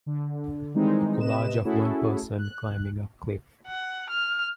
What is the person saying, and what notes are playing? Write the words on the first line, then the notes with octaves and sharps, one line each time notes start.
A collage of one person climbing a cliff.
D3
D#3 E3 G3 G#3 C4 D#4
C3 B4 D#5 E7
A3 C#4 E4 F#4 G#4 A4
F#6
F#5
F6